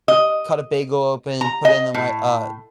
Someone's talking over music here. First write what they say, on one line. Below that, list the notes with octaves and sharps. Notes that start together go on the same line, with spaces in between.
cut a bagel open, put it in my, uh,
D#5
A#5
D#5
A2